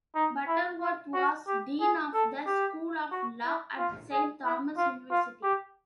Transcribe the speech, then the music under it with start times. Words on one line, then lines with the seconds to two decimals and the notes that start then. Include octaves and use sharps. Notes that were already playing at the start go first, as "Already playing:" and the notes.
Butterworth was dean of the School of Law at Saint Thomas University.
0.15 D#4
0.48 E4
0.81 F4
1.14 F#4
1.47 G4
1.81 G#4
2.14 A4
2.46 G4
3.12 F#4
3.45 E4
3.78 F4
4.12 G#4
4.44 E4
4.78 F4
5.11 F4
5.43 G4